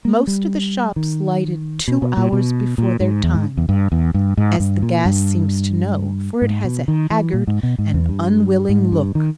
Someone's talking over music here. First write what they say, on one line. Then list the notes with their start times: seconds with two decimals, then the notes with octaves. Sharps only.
Most of the shops lighted two hours before their time--as the gas seems to know, for it has a haggard and unwilling look.
0.05 A#3
0.27 G3
0.96 D#3
1.88 B2
2.02 B2
2.17 A#2
2.33 B2
2.78 A#2
3.00 G#2
3.24 E2
3.34 G#2
3.57 E2
3.69 G2
3.92 E2
4.14 G2
4.37 G#2
4.60 G2
4.82 A#2
5.06 G2
6.42 G#2
6.64 B2
6.88 D#3
7.10 E3
7.33 A#2
7.47 G#2
7.63 B2
7.79 G#2
7.94 E2
8.09 G2
8.69 G#2
8.92 G2
9.15 D#3